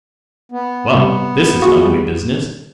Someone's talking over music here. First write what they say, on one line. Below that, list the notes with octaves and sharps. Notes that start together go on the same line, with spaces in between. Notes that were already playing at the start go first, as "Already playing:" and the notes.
'Well! this is an ugly business!
B3
C3 G3
F4 F#4 G#4
G3